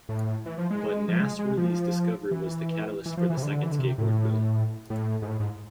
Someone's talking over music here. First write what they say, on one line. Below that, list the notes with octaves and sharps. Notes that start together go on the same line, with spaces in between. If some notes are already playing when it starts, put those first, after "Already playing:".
But Nasworthy's discovery was the catalyst for the second skateboard boom.
A2
E3
F3
G#3
F3
G#3
G#3
F3
E3
E3
F3
E3
C3
D3
E3
D3
C3
A2
A2
G#2
A2
G#2